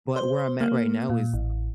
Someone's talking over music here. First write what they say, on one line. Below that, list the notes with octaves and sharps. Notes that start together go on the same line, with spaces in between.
But where I'm at right now is
C5
A#3
A#2
A1